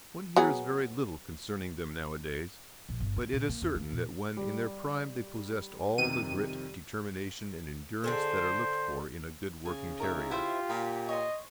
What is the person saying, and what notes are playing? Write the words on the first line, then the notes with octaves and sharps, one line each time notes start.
One hears very little concerning them nowadays, but it is certain that when in their prime they possessed all the grit, determination, and endurance that are looked for in a good working terrier.
F#3 B3 G#4
A#1
G1
D3
A#2
A#3
E2
A#3
A#2
G3
F2 C3 D#3 D#7
D3 G#4 A4 C5
C#3 G#5
D#4 A#4 C#5 E5
E4 F4 G4 C5 E5
A#2 B5
C#5 D#5 C6